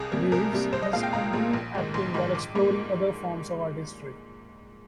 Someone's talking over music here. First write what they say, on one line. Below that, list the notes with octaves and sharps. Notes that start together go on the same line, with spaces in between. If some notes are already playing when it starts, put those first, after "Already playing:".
Reeves has continued acting while exploring other forms of artistry.
Already playing: C2 G#4
C3 G3 A#3
C2 A#4
C3 G3 A#3
C2 C5
D#5
A#2 G#3 F5
G5
C2 A#5
A#2 G#3
A#1
G#2 D#3
A#1 C6
G#2 D#3
A#1 D6
G#2 G3 A#3